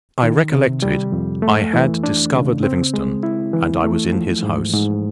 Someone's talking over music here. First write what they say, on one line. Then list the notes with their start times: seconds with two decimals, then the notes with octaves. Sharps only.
I recollected I had discovered Livingstone, and I was in his house.
0.23 D#3
0.52 C3
0.82 G3
1.12 F2
1.42 A3
1.73 E3
2.04 D4
2.34 C#3
2.63 C4
2.94 G#3
3.23 E4
3.53 E3
3.84 A3
4.13 F3
4.43 G#2
4.73 G#2